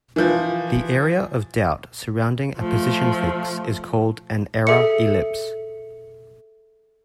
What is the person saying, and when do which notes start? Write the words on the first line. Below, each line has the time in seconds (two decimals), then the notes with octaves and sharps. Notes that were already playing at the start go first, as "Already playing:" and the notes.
The area of doubt surrounding a position fix is called an error ellipse.
0.16 E3 F3
2.57 F3 A3
4.67 G#4 A4 E5 C#7